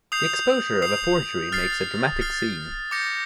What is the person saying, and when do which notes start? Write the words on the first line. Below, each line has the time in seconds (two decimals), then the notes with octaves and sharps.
The exposure of the forgery makes a dramatic scene.
0.12 D#6 G6 C7 F7
0.82 D#6 G6 C7 F7
1.52 F6 A6 C7
2.21 F6 A6 C7
2.91 D6 G6 A#6 C#7